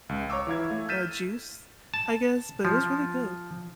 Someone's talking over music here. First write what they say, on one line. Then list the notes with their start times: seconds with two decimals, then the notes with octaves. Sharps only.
uh, juice, I guess. But it was really good.
0.09 C#2
0.30 C#5 A#5 C#6 D6 E6
0.47 E3 E4 F5 G#6
0.71 A3
0.88 F6 G6 A6 B6 D#7 E7
1.94 A5
2.65 F3